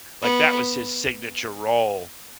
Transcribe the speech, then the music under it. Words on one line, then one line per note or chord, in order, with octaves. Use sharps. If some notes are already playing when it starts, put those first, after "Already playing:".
like, that was his signature role,
B3